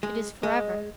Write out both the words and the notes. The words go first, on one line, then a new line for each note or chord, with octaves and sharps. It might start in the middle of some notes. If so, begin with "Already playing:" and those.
It is for ever.
G#3
G#3 D#5